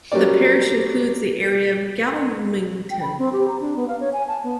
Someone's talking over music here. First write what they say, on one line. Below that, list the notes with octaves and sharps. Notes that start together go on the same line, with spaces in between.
The parish includes the area of Galmington.
F#3 G3 A#3 C#4 D5
G5
B5
C4
G4
A#5
D4
B3
F5
C#5
G#5
A5
B3